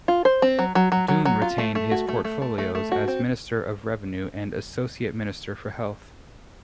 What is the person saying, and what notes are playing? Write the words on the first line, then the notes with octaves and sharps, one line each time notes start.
Dunne retained his portfolios as Minister of Revenue and Associate Minister for Health.
F4
C5
C4
F#3
F#3
F#3
F#3
F#3
F4
A3
A3
F#4
A3
A3
A3
A3
A3
F#4
C4